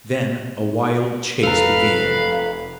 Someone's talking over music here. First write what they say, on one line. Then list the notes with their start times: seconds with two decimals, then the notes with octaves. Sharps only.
Then a wild chase began.
1.43 F1 A4 B4 F5 A#5